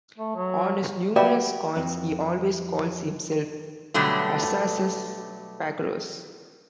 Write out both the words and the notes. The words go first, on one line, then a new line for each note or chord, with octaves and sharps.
On his numerous coins he always calls himself "Arsaces Pacorus".
A3
F#3
F#4 G4 B4 D5 E5
F2
B2 D3 F#3 G3 A3